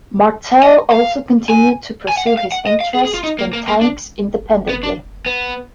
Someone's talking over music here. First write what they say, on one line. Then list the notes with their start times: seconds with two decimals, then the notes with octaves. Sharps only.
Martel also continued to pursue his interest in tanks independently.
0.63 D#5
0.92 F5
1.50 G#5
2.09 G#5
2.17 F#5
2.27 F5
2.37 F5
2.52 F#5
2.67 D#5
2.81 F5
2.95 G#4
3.05 G#4
3.14 F4
3.24 D#4
3.39 A#3
3.53 A#3
3.68 A#3
3.81 D4
4.69 B3
4.83 D4
5.26 B3